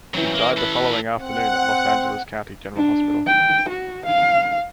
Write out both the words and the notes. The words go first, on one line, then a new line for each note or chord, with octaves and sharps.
He died the following afternoon at Los Angeles County General Hospital.
E3 F#3 C4 C#4
A#3
A4 B4
C4 F#5
D4
G5
F#4
F5